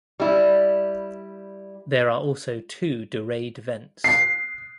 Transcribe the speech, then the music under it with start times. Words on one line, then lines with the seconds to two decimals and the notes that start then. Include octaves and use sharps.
There are also two Dorade vents.
0.20 G3 E4
4.04 C7